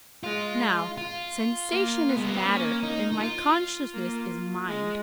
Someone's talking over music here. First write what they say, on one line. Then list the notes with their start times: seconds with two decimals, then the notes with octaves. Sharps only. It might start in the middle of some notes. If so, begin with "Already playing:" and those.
Now, sensation is matter and my consciousness is mind.
0.23 G#3 F4
0.98 F4
1.71 A#3
2.09 B3
2.16 G#3
2.26 A#3
2.35 B3
2.45 A#3 C#4
2.83 D#4
3.12 D#4
3.20 F4
3.93 A#3
4.68 G#3